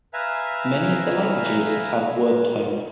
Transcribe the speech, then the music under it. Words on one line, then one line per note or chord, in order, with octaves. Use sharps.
Many of the languages have word tone.
B4 E5 F5 G#5 A#5